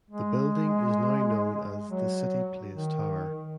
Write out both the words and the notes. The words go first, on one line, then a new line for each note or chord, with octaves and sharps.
The building is now known as the "City Place Tower".
G#3
F#3
D#3